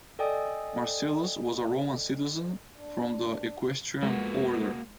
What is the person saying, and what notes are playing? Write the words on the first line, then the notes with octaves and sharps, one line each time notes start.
Marcellus was a Roman citizen from the Equestrian order.
A4 D5 D#5 G5 G#5 D#6
D4
F2 G#3 A#3 B3 F#4